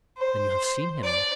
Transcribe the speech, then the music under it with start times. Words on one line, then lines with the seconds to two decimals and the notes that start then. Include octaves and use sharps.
"Then you have seen him?"
0.17 C5
1.03 D5